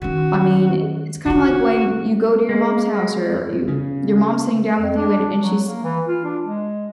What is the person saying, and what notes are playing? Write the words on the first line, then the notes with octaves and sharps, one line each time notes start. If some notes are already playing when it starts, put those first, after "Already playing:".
I mean, i it's kinda like when you go to your mom's house, or you your mom's sitting down with you, and and she's
D#3 C#4 F#4
D3 F4 F#4
G#3
C#3
F2
D4
F#3
A#3
E3
F4
D4
G#3